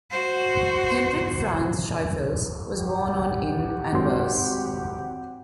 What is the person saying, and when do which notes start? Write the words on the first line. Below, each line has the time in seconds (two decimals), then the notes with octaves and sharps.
Hendrik Frans Schaefels was born on in Anvers.
0.10 F#4 C5
2.76 G4 F#5
3.92 G#1 F#3 C6